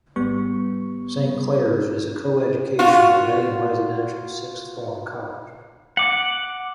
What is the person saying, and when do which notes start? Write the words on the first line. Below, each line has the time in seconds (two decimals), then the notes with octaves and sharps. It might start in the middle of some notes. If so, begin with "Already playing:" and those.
Saint Clare's is a co-educational day and residential sixth form college.
0.16 G#1 G3 B3 C#6
2.79 F4 F#4
5.97 F#5 D6